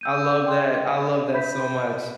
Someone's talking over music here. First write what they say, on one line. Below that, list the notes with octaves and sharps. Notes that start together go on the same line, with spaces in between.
I love that I love that so much.
E6 G6 D#7
D5 G5 C6
D#5
E5 B5 G6 B6